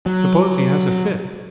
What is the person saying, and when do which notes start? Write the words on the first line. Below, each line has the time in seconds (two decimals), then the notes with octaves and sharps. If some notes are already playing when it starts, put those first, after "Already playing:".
"Suppose he has a fit!"
0.06 F#3